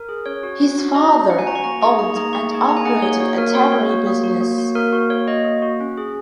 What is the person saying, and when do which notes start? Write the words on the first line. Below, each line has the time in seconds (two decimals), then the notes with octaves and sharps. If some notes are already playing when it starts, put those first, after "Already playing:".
His father owned and operated a tannery business.
Already playing: A#4
0.09 G#4
0.26 C#4 C#5
0.43 F#4
0.61 C#4
0.78 F#4
0.95 C#4 D#5
1.13 F#4
1.29 C#4 F#5
1.39 G#5
1.47 F#4 A#5
1.55 C#6
1.64 A#3 A#5
1.82 D#4 G#4 C#6
1.99 A#3 A#5
2.16 D#4 G#4 A#5
2.33 A#3 C#6
2.51 D#4 G#4
2.68 A#3 A#5
2.77 G#5
2.85 D#4 G#4 F#5
3.02 A#3 C#5
3.20 F#4 C#5
3.38 A#3 A#4
3.55 F#4 C#5
3.72 A#3 C#5
3.90 F#4
4.07 A#3
4.24 F#4
4.41 A#3
4.58 F#4
4.75 A#3 A#4
4.93 F#4
5.10 A#3 C#5
5.27 F#4 D#5
5.45 A#3
5.62 F#4
5.80 C#4
5.97 G#4